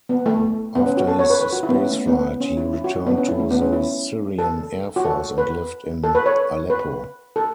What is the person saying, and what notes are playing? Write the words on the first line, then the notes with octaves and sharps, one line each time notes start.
After his spaceflight, he returned to the Syrian Air Force and lived in Aleppo.
B3
A3
B3
C#4
F#4
A4
C#5
B4
B4
F#4
E4
B3
C#4
A3
B3
C#4
E4
E4
F#4
E4
B3
C#4
E4
A3
B3
C#4
E4
A4
F#4
A4
B4
A4
B4
C#5
B4
A4